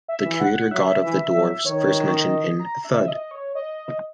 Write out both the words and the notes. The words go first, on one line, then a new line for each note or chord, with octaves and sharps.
The creator god of the dwarfs, first mentioned in "Thud!".
E5
E3
F#5
F#3 E5
E3
F#3
D#3 C#5
D#5
A#5
E5
D#5
C#5
D#5